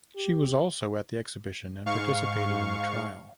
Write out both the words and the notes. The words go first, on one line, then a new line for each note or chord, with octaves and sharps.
She was also at the exhibition and participated in the trial.
G4
G#2 F5 C#6